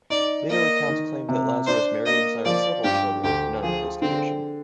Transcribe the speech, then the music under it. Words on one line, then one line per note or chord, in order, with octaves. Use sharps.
Later accounts claim that Lazarus married and sired several children, none with his condition.
D#4 D5
A#3 D#5
D#3
C3
D4 C5
A#3 D#5
F3 D5
G2 G4
D2 G4
F3 G#4
D3 C4